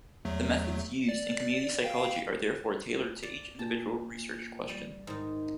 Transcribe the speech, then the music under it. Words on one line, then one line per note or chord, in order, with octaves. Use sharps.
The methods used in community psychology are therefore tailored to each individual research question.
E2 F#3 A3
D5
F5 G5
D5
A#2 A5
G3
G#2 D#3